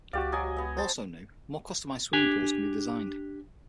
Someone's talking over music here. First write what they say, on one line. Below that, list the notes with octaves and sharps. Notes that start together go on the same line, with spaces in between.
Also new, more customized swimming pools can be designed.
C#2 F#4 G4 D5 F5
F#3 D#5 G#5
B3 D#5
C5 A5
D4 G4 G#5